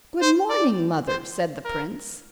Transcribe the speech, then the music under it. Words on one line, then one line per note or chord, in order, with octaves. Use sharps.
'Good-morning, mother,' said the prince.
C5
D5
C5
A#4